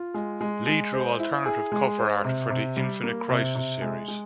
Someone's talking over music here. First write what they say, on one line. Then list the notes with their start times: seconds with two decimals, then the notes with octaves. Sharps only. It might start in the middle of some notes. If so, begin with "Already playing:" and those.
Lee drew alternative cover art for the "Infinite Crisis" series.
Already playing: F4
0.14 G#3
0.41 G#3
0.67 G#3
0.93 C5
1.19 E4
1.46 G#4
1.72 G#3
1.98 C5
2.25 C3
2.50 C3
2.77 G3
3.03 A#3
3.29 C3
3.55 C3
3.82 G#3
4.08 G#3